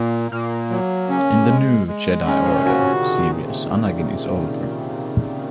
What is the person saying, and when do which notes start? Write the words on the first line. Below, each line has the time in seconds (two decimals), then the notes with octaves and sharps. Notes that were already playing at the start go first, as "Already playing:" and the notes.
In "The New Jedi Order" series, Anakin is older.
Already playing: A#2 A#3
0.31 A#2 A#3
0.70 F#3
1.09 C#3 C#4
1.49 G#3
1.87 G#3
2.27 D#3 C#4
2.46 A#2
2.56 C3
2.65 C#3 F#4